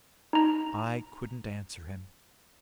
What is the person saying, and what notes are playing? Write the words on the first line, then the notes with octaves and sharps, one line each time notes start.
I couldn't answer him.
D#4 A#5